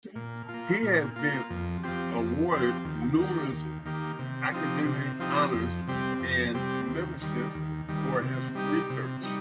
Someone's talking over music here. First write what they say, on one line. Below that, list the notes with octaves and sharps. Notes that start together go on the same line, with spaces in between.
He has been awarded numerous academic honours and memberships for his research.
A#2
F4
A#3
A#2
A#3 F4
F2
F3 C4 G4
F2
F3 C4 G4
D#2
D#3 A#3 G4
D#2
D#3 A#3 G4
C3
F3 C4 D#4 G4
C3
F3 C4 D#4 G4
F2
C3 G3 C4 G4
F2
C3 G3 C4 G4
D#2
D#3 G3
D#2
D#3 G3
C3
G3 D#4 G4
C3
G3 D#4